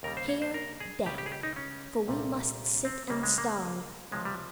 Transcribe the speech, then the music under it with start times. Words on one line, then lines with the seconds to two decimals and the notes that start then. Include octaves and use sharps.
Here death, for we must sit and starve.
0.03 D#2 C#3 G3 A#4
0.17 C5
0.29 C#5
0.42 C5
0.54 A#4
0.80 G#4
1.06 C#2 C#3 G3 G4
1.18 G4
1.26 G#4
1.32 G4
1.43 D#4
1.56 C#4
2.08 C2 A#2 G3
2.85 C4
3.10 C#2 C#3 G3 A#3
3.23 G#3
3.38 A#3
4.12 C#2 C3 F3 G#3
4.25 G3